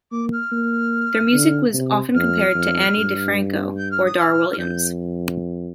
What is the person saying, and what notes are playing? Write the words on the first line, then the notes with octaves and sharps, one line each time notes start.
Their music was often compared to Ani DiFranco or Dar Williams.
A#3 D6
F6
A#3
D3
C3
F2 F6
F2
G2
G6
F6
D#6
F6
F6
F2 G6